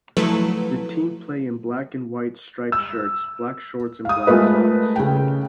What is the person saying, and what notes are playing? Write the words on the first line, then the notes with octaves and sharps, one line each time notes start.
The team play in black and white striped shirts, black shorts and black socks.
F3 F#3 A3 E4 A4 B4
E6
F5 D#6
G#3 A3 F4 A#4 B4
C#3 G5